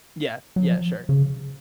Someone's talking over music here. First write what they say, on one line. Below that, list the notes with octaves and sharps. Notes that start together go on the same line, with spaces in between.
Yeah, yeah, sure.
F#3
F3
C#3